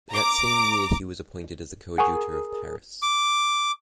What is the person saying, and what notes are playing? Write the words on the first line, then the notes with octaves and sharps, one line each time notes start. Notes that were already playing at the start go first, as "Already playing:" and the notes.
That same year, he was appointed as the Coadjutor of Paris.
A#5 D6
G#4 A#4 F#5 G#5 C#6 D#6
D6